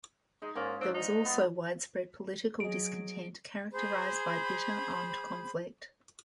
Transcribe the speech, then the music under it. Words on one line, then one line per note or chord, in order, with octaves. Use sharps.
There was also widespread political discontent characterized by bitter armed conflict.
G#3 D#4
G#2 A#3 C#4 F4
C4 D4
D#4
B3
F#3 G#4 D#5 D7
G#4 C5 B5